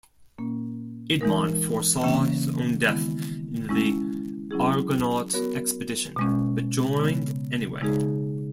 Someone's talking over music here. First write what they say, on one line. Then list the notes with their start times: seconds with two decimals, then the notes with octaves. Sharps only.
Idmon foresaw his own death in the Argonaut expedition, but joined anyway.
0.38 A#2 A#3 C#4
1.21 E3 G#3 D#4 A#4
2.03 C#3 E3 A#3 C#4
2.86 D#3 G#3 B3 E4
3.69 G#3 C#4 E4
4.51 F#3 C#4 E4 G#4
5.33 B3 F#4 A#4 C#5
6.16 B2 G#3 C#4
6.99 C#3 G#3 B3
7.82 C#3 G#3 D#4 G#4